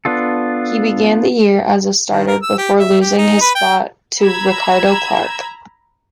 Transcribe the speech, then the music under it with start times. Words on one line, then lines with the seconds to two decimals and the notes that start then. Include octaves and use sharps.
He began the year as a starter before losing his spot to Ricardo Clark.
0.05 B3 D4 F4 A4
2.11 D#3
2.27 A#4
2.42 E6
2.58 G4
2.79 E5
3.01 G4
3.18 D#4
3.41 B4
3.55 G5
4.19 A#5 B5 E6 G#6